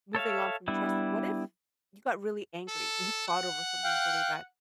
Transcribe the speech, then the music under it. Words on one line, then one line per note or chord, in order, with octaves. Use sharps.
moving on from trust, what if you got really angry? You fought over something really bad.
A4 C#5 E5 F5
G3 B3 D4 E4
A4
F#5
F5 G5 F#6